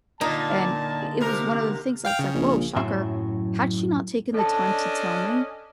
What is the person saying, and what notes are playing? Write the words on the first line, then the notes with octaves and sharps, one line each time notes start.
and i it was one of the things that's like, whoa, shocker. Had she not taken the time to tell me,
A#2 D3 A#3 D#4 A5
C3 A#4
F5 G5 F6
C#3
A#1
F#2 A2 F#3 F#4 E5 C6
C#4 D4 A4 D#5 A5